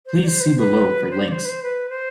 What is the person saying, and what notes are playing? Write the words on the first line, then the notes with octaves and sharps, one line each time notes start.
Please see below for links.
C5
D5
C5
B4
C5
B4
C5
D5
C5
B4
C5
B4
C5